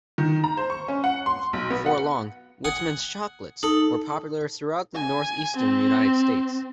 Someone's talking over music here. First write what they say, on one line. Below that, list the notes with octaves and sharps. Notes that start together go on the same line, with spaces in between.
Before long, Whitman's chocolates were popular throughout the northeastern United States.
D#3
A#5
C5
C#6
C#4
F#5
C6
B1
B3
F#5
F#5 G#5 D#6
D#4 A4
G#5
C4